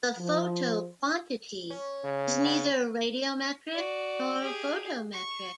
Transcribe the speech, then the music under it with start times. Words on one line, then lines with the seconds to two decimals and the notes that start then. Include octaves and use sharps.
The photoquantity is neither radiometric nor photometric.
0.18 F3
1.70 C#4
2.04 C#3
2.45 B3 C#4
3.73 F#4 D5
4.41 G4 G#4
5.12 C#6